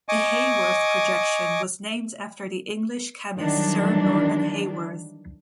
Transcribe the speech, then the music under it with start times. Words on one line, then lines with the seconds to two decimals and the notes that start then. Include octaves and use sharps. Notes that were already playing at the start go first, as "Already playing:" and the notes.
The Haworth projection was named after the English chemist Sir Norman Haworth.
0.09 D#5 G#5 C#6 D6
3.38 D#3 E3 F#3 G3 D4